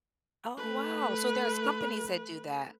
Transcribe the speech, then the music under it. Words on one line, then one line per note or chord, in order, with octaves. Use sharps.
Oh, wow, so there's companies that do that?
A3 B4